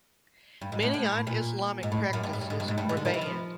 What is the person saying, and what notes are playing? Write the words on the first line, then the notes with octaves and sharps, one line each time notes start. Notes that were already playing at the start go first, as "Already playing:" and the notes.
Many un-Islamic practices were banned.
G2
G#2
A2
A2
A#2
G#2
A2
F#2
G2
G#2
G2
G#2
G2
G#2
G2
G#2
D3
D#3
E3
F3